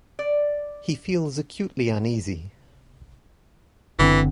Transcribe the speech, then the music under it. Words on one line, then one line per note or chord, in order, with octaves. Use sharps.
He feels acutely uneasy.
D5
F#1 D3 E3 C4